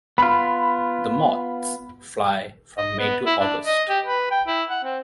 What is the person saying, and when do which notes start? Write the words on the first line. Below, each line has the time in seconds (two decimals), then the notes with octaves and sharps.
The moths fly from May to August.
0.18 B3 F4 B5
2.78 D#5
2.99 B3
3.26 E4
3.41 D4
3.65 D#5
3.90 G4
4.05 B4
4.31 G5
4.47 E4
4.70 F#5
4.84 C4